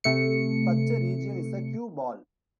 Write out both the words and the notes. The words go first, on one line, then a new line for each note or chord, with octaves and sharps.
Such a region is a Q-ball.
C3 A3 C#7